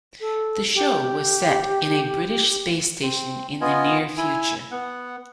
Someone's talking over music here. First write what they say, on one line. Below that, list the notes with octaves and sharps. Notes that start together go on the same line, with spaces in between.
The show was set in a British space station in the near future.
A4
G4
C4
B3 F4 D#5 G#5
E4 G#5
B3 F#5